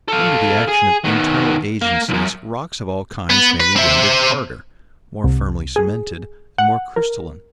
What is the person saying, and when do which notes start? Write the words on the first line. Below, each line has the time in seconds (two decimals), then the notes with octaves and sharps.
Under the action of internal agencies rocks of all kinds may be rendered harder, more firmly cemented, and more crystalline.
0.08 A4 F5
0.69 G#4
1.05 D#3 B3
1.81 A#3
2.09 B1 F#2
3.30 B3
3.60 B4
3.76 C4 E5
5.24 C2
5.76 G#4
6.58 F#5
6.96 A#4